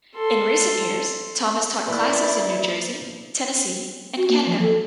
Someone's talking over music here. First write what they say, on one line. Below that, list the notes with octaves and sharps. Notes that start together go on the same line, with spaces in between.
In recent years Tom has taught classes in New Jersey, Tennessee, and Canada.
A4 C6
A#3 E4 B4 D5
F#4
A#3
F3
A4